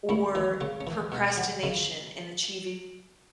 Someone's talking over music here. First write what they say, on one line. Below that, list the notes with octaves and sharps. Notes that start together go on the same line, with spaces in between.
or procrastination in achieving
A2 C#4 E4
E3 D#4
C#3 C#4
C#4
E3
B2
F#3
C#3 D#4